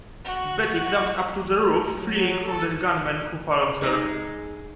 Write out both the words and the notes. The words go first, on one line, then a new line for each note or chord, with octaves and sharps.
Betty climbs up to the roof, fleeing from the gunman who follows her.
F#4
F#4
F#3
A4
G#3 D#4